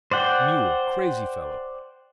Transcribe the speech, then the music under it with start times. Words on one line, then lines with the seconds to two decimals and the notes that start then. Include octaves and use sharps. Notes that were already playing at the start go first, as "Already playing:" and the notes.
Mule! Crazee fellow!
0.11 C5 D5 F#5 G5